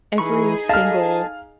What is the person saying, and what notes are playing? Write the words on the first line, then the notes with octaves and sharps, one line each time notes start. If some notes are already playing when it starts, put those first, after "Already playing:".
every single
E3 D#4 G#4 B5 C#6
A4 D#5 F5 A5 F6